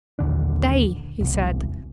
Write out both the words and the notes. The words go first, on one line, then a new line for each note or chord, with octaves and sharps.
"Stay!" he said.
A#1 D#2 D3 D4
E1 C2